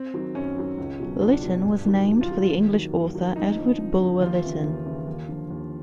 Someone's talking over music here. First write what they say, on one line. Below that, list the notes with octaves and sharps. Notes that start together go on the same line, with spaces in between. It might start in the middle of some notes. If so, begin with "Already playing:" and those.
Lytton was named for the English author Edward Bulwer-Lytton.
Already playing: C4
D#3 F#3
F#2 C#4
D#3 F#3
C#2
B2 F#3
C#2 D4
B2 F#3
G2
D#3 F#3
G2
F4
D#3 F#3
D#2
D#3 F#3
D#2
D#3 F#3
F2 D#4
D3 F3
F2
D3 F3
D#2 F4
C#3 E3
D#2
C#3 E3
D#2
D3 F3
D#2